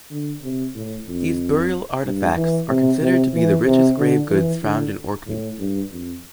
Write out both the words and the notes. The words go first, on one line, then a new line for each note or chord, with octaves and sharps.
These burial artefacts are considered to be the richest grave goods found in Orkney.
D3
C3
A2
F2
G2
E3
C3
C3
E3
C3
D3
E3
D3
A2
G2
F2